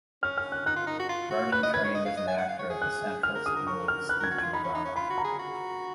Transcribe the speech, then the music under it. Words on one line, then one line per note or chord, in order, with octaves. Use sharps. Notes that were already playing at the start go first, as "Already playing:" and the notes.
Vernon trained as an actor at the Central School of Speech and Drama.
C#4 F6
F6
F#6
D#4 F#6
F4
D#4
F#4
F4
F#4
B4 F#6
D#5
B4 G#6
C#5
D#5
F5
D#5
G#5
F#5
F5
C#5
G#4
F#6
G#4 F6
A#4
G#4 D#6
A#4
A#4 C#6
F6
B4 F#6
A#4 G#6
F#4
F4 G#6
D#4 B5
C#4
D#4
C#4
F4 B5
F#4
A#5
G#4
F#4